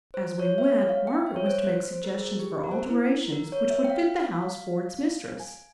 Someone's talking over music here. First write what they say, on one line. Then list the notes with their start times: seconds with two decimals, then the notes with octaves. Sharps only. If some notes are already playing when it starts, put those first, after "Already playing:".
As we went, Margaret was to make suggestions for alterations which would fit the house for its mistress.
0.14 C5
0.39 C#5
0.58 E5
0.64 C#5
0.89 F5
1.07 G5
1.27 E5
1.36 C#5
1.46 C5
1.64 C5
1.93 C5
2.04 A#4
2.14 G#4
2.39 G4
2.64 A#4
2.71 C5
2.78 A#4
2.89 E4
3.33 A#4
3.52 C#5
3.70 E5
3.84 G5
3.90 F5
5.40 G#5